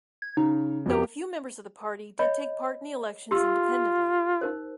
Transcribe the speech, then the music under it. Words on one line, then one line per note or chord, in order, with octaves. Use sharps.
Though a few members of the party did take part in the elections independently.
G#6
C#3 D#4
F2 B3 G4
C#5 D#5 B5
F4 G4 C6 E6
D#4 A#4 C5